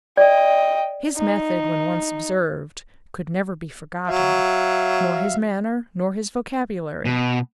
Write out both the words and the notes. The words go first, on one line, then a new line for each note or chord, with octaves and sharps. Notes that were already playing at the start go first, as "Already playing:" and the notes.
His method, when once observed, could never be forgotten; nor his manner, nor his vocabulary.
D5 D#5 G5
D#4
F#3 E5 F5
B2